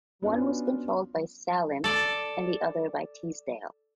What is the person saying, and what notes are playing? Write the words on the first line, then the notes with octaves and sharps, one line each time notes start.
One was controlled by Saleam and the other by Teasdale.
B3 C#4 D4 F4 F#4
A4 D5